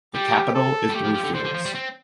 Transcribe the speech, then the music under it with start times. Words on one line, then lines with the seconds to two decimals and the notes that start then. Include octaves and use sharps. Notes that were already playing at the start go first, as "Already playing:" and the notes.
The capital is Bluefields.
0.14 G3 G4
0.55 A4
0.90 G3
0.94 A3 G4
1.05 F3
1.15 F3
1.24 D3
1.34 D3 C5
1.45 D3
1.54 F3
1.65 G3
1.75 C4